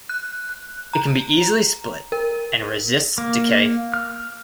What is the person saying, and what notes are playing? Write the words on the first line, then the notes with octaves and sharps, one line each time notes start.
It can be easily split and resists decay.
F#6
A#5
A#4
A#3
F6